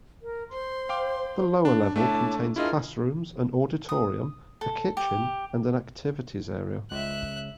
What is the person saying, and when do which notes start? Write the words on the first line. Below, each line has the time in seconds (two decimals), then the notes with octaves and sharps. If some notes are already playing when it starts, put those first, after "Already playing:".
The lower level contains classrooms, an auditorium, a kitchen and an activities area.
0.22 A#4
0.52 C5 C6
0.89 F5 G5 D6
1.65 D4
1.96 A3 D4 E4 C#5 E5 A5 D6
2.56 D4 E4 F4 G#4 A#4 D#5 F6
3.89 D#6
4.61 A4
4.97 G4
6.91 C#2 E5 F#6